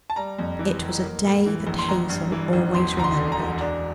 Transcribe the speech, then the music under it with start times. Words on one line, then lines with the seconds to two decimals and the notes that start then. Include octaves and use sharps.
It was a day that Hazel always remembered.
0.10 A5
0.16 G3 A#5
0.39 F2
0.59 E3
0.81 F1
1.02 A#3
1.25 A2
1.46 E3
1.67 A#1
1.79 C6
1.88 A1 A#5
2.10 G2
2.32 E3
2.53 A1
2.74 E1 C6
2.97 D2 A#5
3.04 C6
3.17 D3
3.32 A#5
3.39 E1
3.61 D4